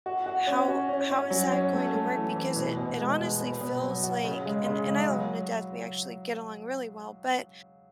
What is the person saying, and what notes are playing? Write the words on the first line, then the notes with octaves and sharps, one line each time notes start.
how how is that going to work?" Because it it honestly feels like and and I love him to death, we actually get along really well, but
F#4
F#4
C#4
F#4
C#4
C#4
F#3
C#4
A3
A3
E3
E3
B2
B2
G#3
B2
B3
B2
F#3
F#4
C#3
G#3
C#3
G#3
F#3